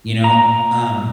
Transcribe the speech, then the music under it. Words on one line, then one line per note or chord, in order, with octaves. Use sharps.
you know, um,
A#5